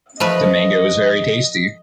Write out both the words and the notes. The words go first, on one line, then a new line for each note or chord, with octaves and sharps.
The mango was very tasty.
F3 A3 B4 D#5